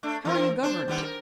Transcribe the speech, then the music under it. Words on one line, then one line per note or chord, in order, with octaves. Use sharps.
How are you governed?
A3 D4
E3 C4 A#4
D4 C5
D#2 G3 B3
A#4